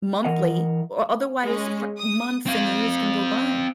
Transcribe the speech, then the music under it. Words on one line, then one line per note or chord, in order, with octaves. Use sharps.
monthly, o otherwise fr months and years can go by.
E3 A#4 D#5 F#5
G#3 C#4
D#6
C4 F5